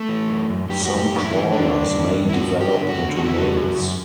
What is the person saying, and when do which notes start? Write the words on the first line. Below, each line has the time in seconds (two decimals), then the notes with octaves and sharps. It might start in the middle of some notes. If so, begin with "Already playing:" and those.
Some crawlers may develop into males.
Already playing: A3
0.09 E3
0.29 F#2
0.50 F#2
0.70 F#2 G4
0.85 F#4
0.90 F#2
0.97 G4
1.11 F#2
1.19 D4
1.24 E4
1.31 E3
1.52 D3 D4
1.72 G2
1.93 G2
2.13 G2
2.29 E4
2.33 G2 F#4
2.55 G2
2.61 G4
2.75 D3
2.89 F#4
2.95 D3
3.16 E3 F#4
3.26 E4
3.36 C#3 F#4
3.56 F#2
3.77 F#2